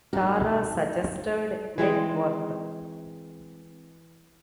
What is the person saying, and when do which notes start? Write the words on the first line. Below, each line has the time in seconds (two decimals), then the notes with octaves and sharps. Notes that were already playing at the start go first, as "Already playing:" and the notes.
Tara suggested Net Worth.
0.13 D#4 F#4 G4 A#4 F5
1.78 E3 G#3 C4 D#5